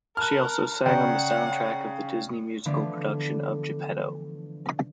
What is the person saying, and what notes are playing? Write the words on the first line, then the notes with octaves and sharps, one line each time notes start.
She also sang on the soundtrack of the Disney musical production of "Geppetto".
A#4 A5 B5 F6 F#6
C#3 D5 F#5 G5 A#5
D3 E3 F3 A3 B3 D4